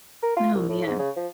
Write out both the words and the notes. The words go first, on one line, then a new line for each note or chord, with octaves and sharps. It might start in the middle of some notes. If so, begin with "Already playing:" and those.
Oh, man.
A#4
F4
C2
A2
G#2
C#3
F3